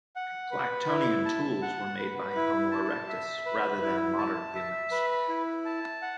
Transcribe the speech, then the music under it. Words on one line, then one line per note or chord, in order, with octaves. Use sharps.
Clactonian tools were made by "Homo erectus" rather than modern humans.
F#5
B4
E4
A5
F#5
B4
E4
A5
E5
B4
E4
A5
E5
B4
E4
A5
F#5